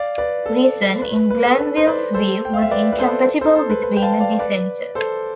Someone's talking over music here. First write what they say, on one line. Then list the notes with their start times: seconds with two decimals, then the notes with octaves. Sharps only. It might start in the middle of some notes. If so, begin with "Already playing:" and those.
Reason, in Glanvill's view, was incompatible with being a dissenter.
Already playing: D5 F5
0.18 B4 D5
0.46 A4
1.02 B4
1.16 B4
1.30 B4
1.45 A4
1.59 B4
1.77 C5
1.87 B4 D5
2.14 A4 C5
2.45 G5
2.53 F5
2.62 E5
2.71 B4 D5
2.92 B4
2.98 A4 C5
3.41 A4 C5
3.55 A4 C5
3.70 B4
3.83 B4
3.97 G5
4.02 F5 A5
4.20 D5 F5
4.39 B4 D5
4.95 A4 C5